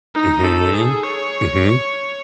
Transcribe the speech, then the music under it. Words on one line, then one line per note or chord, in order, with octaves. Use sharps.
Mhm, mhm.
D#4
A4
G#4
C#5